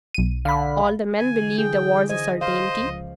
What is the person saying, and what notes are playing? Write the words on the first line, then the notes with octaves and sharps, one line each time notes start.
All the men believe the war's a certainty.'
B1 D#7
D3 F5 B5
D3 E3 G#5
G#4 G5
C5 D#5 G#5
C5 D#5 F5
C#2 F3